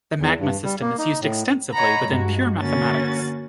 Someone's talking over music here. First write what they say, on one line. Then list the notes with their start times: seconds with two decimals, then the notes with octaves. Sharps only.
The Magma system is used extensively within pure mathematics.
0.20 E2
0.40 G2
0.64 G3
0.81 A#3
0.99 D#4
1.21 A2
1.72 C#5 D#5 F#5 A#5 B5
2.06 G2 G#3 F#4
2.58 D3 A#3 C#4 F#4 A6